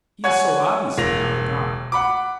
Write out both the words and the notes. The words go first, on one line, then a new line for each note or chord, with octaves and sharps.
He is so obviously not a god.
C#5 F#5 G#5 G#6
E1 A#3 A#6 F7
F#5 B5 D6